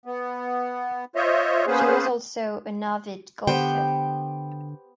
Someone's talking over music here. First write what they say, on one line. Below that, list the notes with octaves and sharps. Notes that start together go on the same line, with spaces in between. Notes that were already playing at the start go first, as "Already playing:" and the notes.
She was also an avid golfer.
B3
F4 C5 C#5 D#5 E5
A#3 B3 C#4 G#4 B4 C5
D3 B3 G4 C5 G5